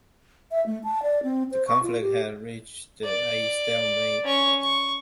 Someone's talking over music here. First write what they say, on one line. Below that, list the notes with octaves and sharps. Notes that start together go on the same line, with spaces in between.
The conflict had reached a stalemate.
E5
A3
A5
D5
C4
C5
C#6
F4
G4
D5
C#4 C#6
C#6